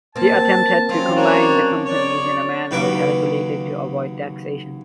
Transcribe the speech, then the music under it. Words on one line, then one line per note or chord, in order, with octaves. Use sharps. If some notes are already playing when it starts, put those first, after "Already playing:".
He attempted to combine the companies in a manner calculated to avoid taxation.
A#3 C4 A5
F#3 C4 C#4 F4
A#3 D4 C#5
C#5 D5
D#2 C#3 F#3 B4 C#6 D6